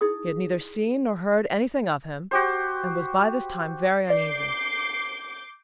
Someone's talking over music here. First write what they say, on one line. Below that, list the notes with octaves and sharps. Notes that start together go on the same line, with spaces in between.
She had neither seen nor heard anything of him, and was by this time very uneasy.
D#4 E4 G#4 D#6
F#4 G4 C5
D5 D6 G6 C7